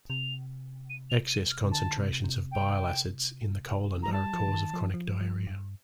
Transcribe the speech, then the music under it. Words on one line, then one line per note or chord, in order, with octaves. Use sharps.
Excess concentrations of bile acids in the colon are a cause of chronic diarrhea.
C3 F7
D#7
F7
D#7
F6
C3
D3 A5
C3
C3
G5
A#5
F3
G3 A5
F3
D3
D#3
F3
F3
F3
G2